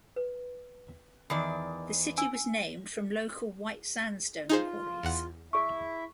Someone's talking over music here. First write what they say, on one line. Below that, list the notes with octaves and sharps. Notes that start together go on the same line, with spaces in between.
The city was named from local white sandstone quarries.
B4
E2 D#3 D5
D4 G#5 E6
D#4 F4 G#4 C5
E2 F#5
E4 G#4 E5 C#6